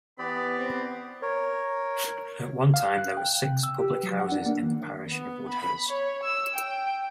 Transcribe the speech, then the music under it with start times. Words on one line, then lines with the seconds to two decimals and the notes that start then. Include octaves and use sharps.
At one time there were six public houses in the parish of Woodhurst.
0.19 E3 B3 G4 D5 B5
0.57 C4
1.22 A#4 C#5
2.74 F5
2.98 F#6
3.17 G5
3.46 C3
3.63 E6
3.78 G4
3.91 B4
4.03 F#3
4.20 F#5
4.32 D4
4.46 A#3
4.63 D#3
5.10 B3
5.49 B5
5.89 C#5
6.23 E6
6.54 G5